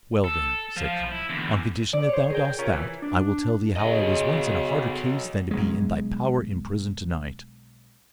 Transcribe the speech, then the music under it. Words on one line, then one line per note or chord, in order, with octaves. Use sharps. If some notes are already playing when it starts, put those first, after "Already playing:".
"Well then," said Conall, "on condition that thou dost that, I will tell thee how I was once in a harder case than to be in thy power in prison to-night."
A4
F3 F5
E4
E2 D3
D5
C5 C#5
G#4 A#4 G5
G5
C#4 F4 A#4 C#5
E3 E4
D4
C#3 F#3 D#5
B1 G#3